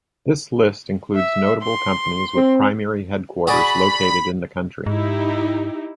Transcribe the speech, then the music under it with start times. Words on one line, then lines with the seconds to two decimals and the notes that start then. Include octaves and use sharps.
This list includes notable companies with primary headquarters located in the country.
1.15 E5
1.62 C6
2.36 C4
3.47 F#4 G#4 D5 B5
4.86 G#2 D#4 E4 G4